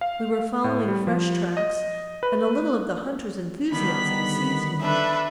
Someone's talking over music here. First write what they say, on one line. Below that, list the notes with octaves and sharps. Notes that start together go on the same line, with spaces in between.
We were following fresh tracks, and a little of the hunter's enthusiasm seized me.
F5
A2
G3
F3
D#5
B4
D3 D#3 G3 B3 B5 B6
D4 A4 B4 E5